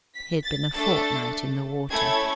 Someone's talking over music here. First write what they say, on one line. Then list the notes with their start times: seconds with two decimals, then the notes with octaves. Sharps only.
He had been a fortnight in the water.
0.14 B6
0.44 A6
0.74 A3 D4 A4 A6
1.91 A3 C#4 E4 A4 G#6